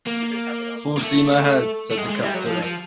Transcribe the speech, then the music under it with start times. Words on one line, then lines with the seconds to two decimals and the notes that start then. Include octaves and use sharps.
"Full steam ahead," said the captain.
0.06 A#3
0.97 A#3
1.03 A3
1.91 A3
1.98 G#3
2.10 G#3
2.23 G3
2.34 F#3
2.46 F3
2.63 F3